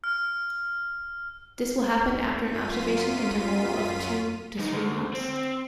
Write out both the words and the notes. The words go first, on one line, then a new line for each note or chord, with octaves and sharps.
This will happen after an observation interval of two to three months.
F6
F#2 F4 B6 D#7
F#2 D#4
D2
C4